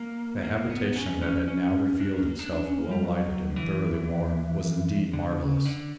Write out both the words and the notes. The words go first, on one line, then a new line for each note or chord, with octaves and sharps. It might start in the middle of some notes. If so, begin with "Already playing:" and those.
The habitation that had now revealed itself, well lighted and thoroughly warm, was indeed marvelous.
Already playing: A#3
A#3
B3
C#4
C#4
C#4
D4
C#4
A#3
D4
D4
C#4
A#3
G3
F#3
D3
E3
D3
C#3
D3